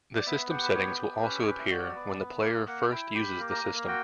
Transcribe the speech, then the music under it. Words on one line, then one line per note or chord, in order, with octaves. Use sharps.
The system settings will also appear when the player first uses the system.
D5
B3 E5
G4 F#5
B4
B3 C#5
G4
C#4 B4
C#5
G4 B4
E5
F#4 D5
B3
B3
A#3
A#3 F#5
E4 G5
G4 B5
A#3
A#5
A#3
A#5
F#4 G5